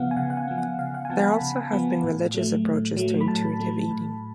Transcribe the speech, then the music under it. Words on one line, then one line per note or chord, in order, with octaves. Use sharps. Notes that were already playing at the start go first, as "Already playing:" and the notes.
There also have been religious approaches to intuitive eating.
Already playing: C#3 F3 B3 F5 F#5
G#5
C#3 F#5
F#5
G#5
F3 B3
F#5
C#3 F5
F#5
G#5
F3 B3 A5
B5
C#3
F3 B3
A2
F#3 A3
A2
F#3 A3
B5
A2 A5
F#3 A3
A2